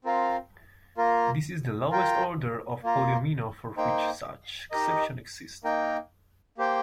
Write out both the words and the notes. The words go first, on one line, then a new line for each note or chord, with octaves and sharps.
This is the lowest order of polyomino for which such exceptions exist.
C4 F4 A#4 F5
A#3 F4 A#4
F4 A#4 G5
A#3 F4 A#4
A#3 D#4 C5 G5
D#4 G4 A#4 D#5
A#3 D#4 A#4 G5
A#3 G4 C5 G5